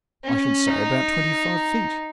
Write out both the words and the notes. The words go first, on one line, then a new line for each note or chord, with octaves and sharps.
"I should say about twenty-five feet?"
C#4
D#4